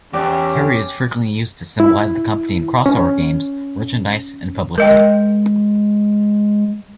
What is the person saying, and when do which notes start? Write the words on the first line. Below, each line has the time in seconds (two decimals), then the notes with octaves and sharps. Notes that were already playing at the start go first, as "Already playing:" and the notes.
Terry is frequently used to symbolize the company in crossover games, merchandise and publicity.
0.13 E2 C#4 G4 D5 G5
1.80 E4
2.86 C#4
4.78 G#3 A#4 D#5 G5